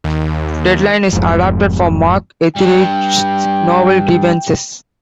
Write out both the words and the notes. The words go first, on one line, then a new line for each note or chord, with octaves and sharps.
Deadline is adapted from Mark Ethridge's novel Grievances.
D#2
F1 F2 G#2
G3 D4 G5